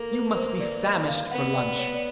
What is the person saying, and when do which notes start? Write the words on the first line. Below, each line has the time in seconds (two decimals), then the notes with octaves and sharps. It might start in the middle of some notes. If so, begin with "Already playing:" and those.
You must be famished for lunch.
Already playing: A#3 A4 A#4
0.13 B4
0.37 C5
0.60 D5
0.84 D#5
1.08 F5
1.31 B3 F#5
1.56 D5
1.79 C#5
1.94 D5